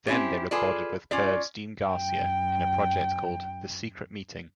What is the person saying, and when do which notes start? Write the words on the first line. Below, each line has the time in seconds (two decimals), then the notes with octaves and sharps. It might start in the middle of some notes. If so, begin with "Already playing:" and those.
Then they recorded with Curve's Dean Garcia in a project called "The Secret Meeting".
0.07 C4 C#4 E4 G4
0.51 F4 G#4 A4 B4 D5
1.11 C#4 F4 D5
1.84 F#2 G5